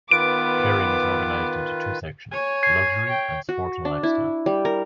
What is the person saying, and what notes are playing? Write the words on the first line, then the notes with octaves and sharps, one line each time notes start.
Kering is organized into two sections: "Luxury" and "Sport and Lifestyle".
D#3 B3 F4 B4 D6 D7
C#5 G#5
G#6 C7
C#5 G5
F#4
D4
E4
G3
A#4